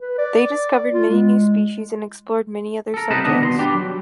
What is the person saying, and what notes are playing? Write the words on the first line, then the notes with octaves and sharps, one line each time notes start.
They discovered many new species, and explored many other subjects.
B4
D5
F4
G#3
A4 A#4
C2 C3 D#4 B4 A5
D#3 B3 D4 D#5
B2 A#5 C6
D4 G4 B4 D5
F#3